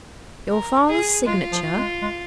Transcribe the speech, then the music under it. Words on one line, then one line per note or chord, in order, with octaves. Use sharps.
"Your father's signature?"
A#4
G#4
G#3 F4
F3
G#3
G#3